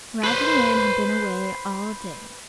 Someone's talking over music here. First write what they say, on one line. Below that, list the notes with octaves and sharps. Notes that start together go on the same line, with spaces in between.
Raggedy Ann had been away all day.
B4 C5